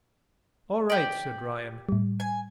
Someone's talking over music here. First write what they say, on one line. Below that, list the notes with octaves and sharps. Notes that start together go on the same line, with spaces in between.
"All right," said Ryan.
G4 D5
A2 G3
G#5